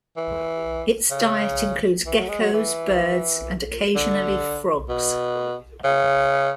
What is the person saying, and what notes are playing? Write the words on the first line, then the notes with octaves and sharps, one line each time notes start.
Its diet includes geckos, birds and occasionally frogs.
E3
C#3
E3
F#3
G#3
F#3
E3
D3
B2
C#3